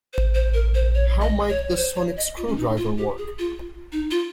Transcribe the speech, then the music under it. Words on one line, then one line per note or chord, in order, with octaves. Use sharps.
How might the sonic screwdriver work?
C5
C5
A#4
C5
C#5
D#5
C#5
C#5
C5
C#5
D#5
F4
C#4
D#4
F4
G4
G#4
F4
D#4
F4